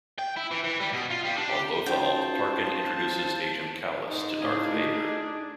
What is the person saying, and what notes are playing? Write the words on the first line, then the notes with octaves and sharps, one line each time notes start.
On Lothal, Tarkin introduces Agent Kallus to Darth Vader.
G5
E4
E3
E3
G3
B2
F4
G3
D4
G4
C#4 D#4 F4 F#4 G#4 C5 G5 A5
G#2 D#4
A2 D4 E4 G#4 F5
A3